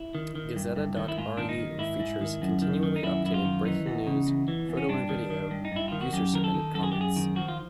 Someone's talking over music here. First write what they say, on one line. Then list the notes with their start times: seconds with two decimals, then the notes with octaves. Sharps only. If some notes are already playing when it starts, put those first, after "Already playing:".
Gazeta dot ru features continually updated breaking news, photo and video, user-submitted comments.
Already playing: E4
0.15 D#3
0.35 D#3
0.56 G2
0.76 G2
0.97 D#3
1.08 E4
1.18 G#2 F4
1.37 D#3 D4
1.49 D#4
1.58 D#3
1.79 G#2 E4
1.99 G#2
2.21 D#3
2.42 F#2
2.62 D#3
2.83 D#3
2.96 D#4
3.03 F#2 E4
3.24 F#2 E4
3.34 F4
3.45 D#3
3.65 E3 D#4
3.86 E2
4.07 C#3
4.27 E2
4.48 E3
4.69 E2
4.77 C#4
4.89 G2 D4
5.09 D#3
5.30 D#3
5.51 G2
5.65 D#4
5.72 G2 E4
5.88 D#3 F4
6.01 F#4
6.13 F#2 G4
6.33 D#3 A#4
6.44 A4
6.54 D#3
6.74 F#2 A4
6.83 G#4
6.92 F#2 G4
7.01 G#4
7.16 D#3
7.36 F3 F#4
7.48 F4